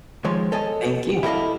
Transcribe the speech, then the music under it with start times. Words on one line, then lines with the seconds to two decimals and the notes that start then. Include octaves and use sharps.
Thank you.
0.24 D#3 F3 G#3 C#5
0.52 A4 C#5 D#5 G#5 A5
1.23 E4 G4 A4 D#5 F5